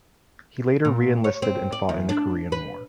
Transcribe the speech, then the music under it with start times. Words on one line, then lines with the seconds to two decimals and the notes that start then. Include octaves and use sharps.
He later re-enlisted and fought in the Korean War.
0.85 A#2
1.24 C#5
1.42 C4
1.72 D5
1.89 E2
2.09 D4
2.52 B4